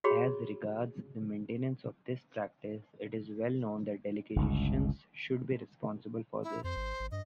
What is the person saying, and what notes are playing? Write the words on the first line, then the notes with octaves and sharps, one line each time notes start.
As regards the maintenance of this practice, it is well known that delegations should be responsible for this.
F#4 G#4 C#5 B5
G1 C#2
E4
F2 C5
G#1
G#1
G2 D#5